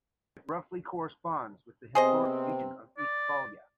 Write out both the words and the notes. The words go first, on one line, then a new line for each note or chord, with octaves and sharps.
It roughly corresponds with the historic region of Eastphalia.
C3 B3 C4 G#4 C5 D#5
D5